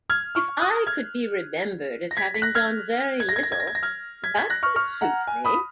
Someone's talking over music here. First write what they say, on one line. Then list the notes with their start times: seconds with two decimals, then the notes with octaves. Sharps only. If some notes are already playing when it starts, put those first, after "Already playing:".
If I could be remembered as having done very little, that would suit me.
0.10 F6 G#6
0.35 C#6 F6
0.61 D#6 F#6
0.87 F6 G#6
2.11 A#6
2.17 G#6 B6
2.34 B6
2.42 F#6 A#6
2.55 F6 G#6
3.20 G#6
3.29 A#6
3.36 G#6
3.43 A#6
3.52 G#6
3.60 A#6
3.67 G#6
3.75 A#6
3.83 F6 G#6
4.24 G#6 B6
4.37 G#6 B6
4.50 F#6 A#6
4.63 C#6 F6
4.76 C#6 F6
5.01 F#5 A#5
5.27 G#5
5.45 B5 D#6